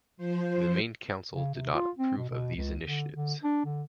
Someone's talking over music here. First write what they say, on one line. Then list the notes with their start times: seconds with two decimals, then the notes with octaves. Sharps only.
The Main Council did not approve of these initiatives.
0.17 F3 C5
1.33 C#3
1.54 C3
1.74 F4
1.99 C4
2.17 B2
2.29 B2
2.56 C#2
2.83 D3
3.13 D3
3.43 D4
3.65 D3